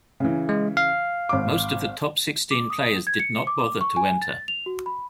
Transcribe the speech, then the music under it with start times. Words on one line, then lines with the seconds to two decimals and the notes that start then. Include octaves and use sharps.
Most of the top sixteen players did not bother to enter.
0.20 C#3 E3
0.49 G#3
0.77 F5
1.29 G#1 D6
2.51 D6
2.70 D#6
3.07 G#6
3.20 C#7
3.47 D6
3.59 D6
3.81 C#6
3.97 G#5
4.22 A6
4.48 F7
4.66 F#4
4.86 B5